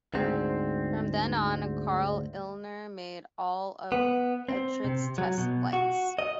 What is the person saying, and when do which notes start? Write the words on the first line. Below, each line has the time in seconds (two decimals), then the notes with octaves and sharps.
From then on, Karl Illner made all of Etrich's test flights.
0.14 D2 G#2 C4
3.92 B3
4.49 C4
4.84 C3
5.18 F#3
5.38 B2
5.73 F#4
6.19 D#5